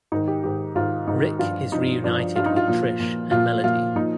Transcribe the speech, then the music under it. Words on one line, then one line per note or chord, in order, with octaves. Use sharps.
Rick is reunited with Trish and Melody.
G#2 D#3 D#4
G4
G#2 D#3 G4
G#2 D#3 F4
G#2 D#3 D#4
G2 F3 F4
G2 F3 D#4
G2 F3 D4
G2 F3 F4
D#4
F4
A#2 F3
A#2 F3
A#2 F3 F4
A#2 F3 F4
A#2 F3 D#4